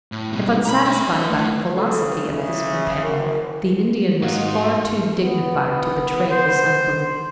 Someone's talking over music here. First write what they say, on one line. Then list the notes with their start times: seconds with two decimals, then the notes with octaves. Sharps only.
If unsatisfied by the philosophy of his companion, the Indian was far too dignified to betray his unbelief.
0.12 A2
0.31 B2 G3
0.65 A#5 B5
0.85 D4 E5
1.30 A2
1.75 C#3 A4
2.35 C#3 E5
3.03 F#1 A#4
4.22 G#2 D#4 F4 F#4 F5
5.20 B3
6.31 C5